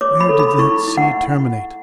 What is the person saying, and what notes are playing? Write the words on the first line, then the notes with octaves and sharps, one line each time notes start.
Where did that sea terminate?
C#5 D6
B5
A4
B5
E4 C#6
E4
F#5